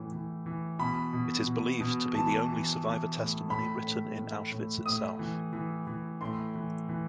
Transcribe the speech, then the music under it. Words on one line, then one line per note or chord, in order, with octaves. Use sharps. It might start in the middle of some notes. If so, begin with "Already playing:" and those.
It is believed to be the only survivor testimony written in Auschwitz itself.
Already playing: A2 E3
E3
E3
B2 B5
B2
B2
B2
E3 A5
E3
E3
A2
A2 B5
A2
A2
A2
A2 D#6
E3
E3
E3
A2 C6
E3
E3